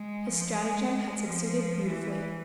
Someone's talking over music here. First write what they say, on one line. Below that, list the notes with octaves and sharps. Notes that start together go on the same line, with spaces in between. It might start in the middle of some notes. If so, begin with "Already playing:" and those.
His stratagem had succeeded beautifully.
Already playing: G#3
F3
G#3
F3
E3